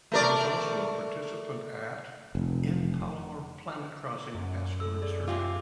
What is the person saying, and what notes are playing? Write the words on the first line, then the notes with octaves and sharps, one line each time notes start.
He was also a participant at in Palomar Planet-Crossing Asteroid Survey.
A3 A#4 D5
F1
F#2
A4 E6
G#4 D5
F4 G4 G#4 E5 F5 D6